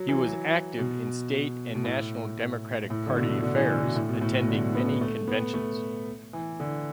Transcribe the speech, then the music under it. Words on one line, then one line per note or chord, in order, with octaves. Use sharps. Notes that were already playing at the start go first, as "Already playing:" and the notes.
He was active in state and national Democratic party affairs, attending many conventions.
Already playing: F#3
E3
F#3
B2
B2
A2
A2
D3
B2
D3
E3
D3
B2
A2
B2
A2
B2
D3
B3
A3
B3
A3
E3
D3